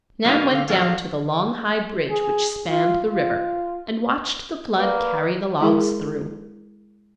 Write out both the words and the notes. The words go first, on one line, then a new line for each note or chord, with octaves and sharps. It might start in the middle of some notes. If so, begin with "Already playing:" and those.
Nan went down to the long, high bridge which spanned the river and watched the flood carry the logs through.
F#2 B2 A#3 D#4 F5
D3 F5
A#2 F3 C#4 F#4 A4 F5
G#4
F4
F4
A#3 B4 D5 F5 F#5
G#3 E4 G#4 A#4